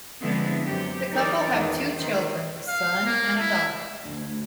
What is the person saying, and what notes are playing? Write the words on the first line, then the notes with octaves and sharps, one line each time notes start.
The couple have two children: a son and a daughter.
D3 F3 G#3 B3 C4 E4
F#2 C3 G4
E3 D#4 A#4 D5
E2 D#3
D#3 C5
F5
A#3
E4
D2